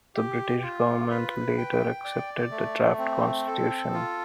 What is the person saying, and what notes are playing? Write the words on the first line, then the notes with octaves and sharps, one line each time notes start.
The British Government later accepted the draft constitution.
G4
F4
B4
G5
D5
A3
C4
A4
F4